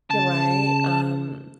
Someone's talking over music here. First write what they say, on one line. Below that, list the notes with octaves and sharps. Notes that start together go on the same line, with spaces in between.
You're right, um,
C#3 A5